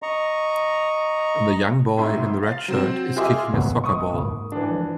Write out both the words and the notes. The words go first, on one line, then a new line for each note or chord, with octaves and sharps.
The young boy in the red shirt is kicking a soccer ball.
D#5 A#5 C#6
G#1 A2 D#4 E5 C6
F5 A6
F#3 C4 E7
F4 G#4 D#5 E5 C6 D6
G#2 B3
E1 C#6 D#6
G#2 A#3
E3 D4
F3